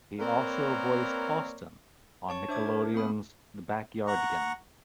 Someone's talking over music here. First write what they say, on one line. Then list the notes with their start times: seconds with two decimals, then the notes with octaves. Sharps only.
He also voiced Austin on Nickelodeon's "The Backyardigans".
0.19 A#3 C4 A#4 B4 C#5 D5
2.29 C#5 A5 C#6
2.48 D4 C5 E5 A5 D6 G#6
2.66 A#4
2.94 A#3 C4 B5 D#6
4.07 F#5 A#5 C#6